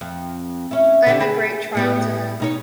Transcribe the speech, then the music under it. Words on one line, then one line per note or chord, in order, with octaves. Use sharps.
I’m a great trial to her.
F2
C#4 E4
D3 D4 G4
G#4 B4
A2 B3 G4
B2 D#4 C#5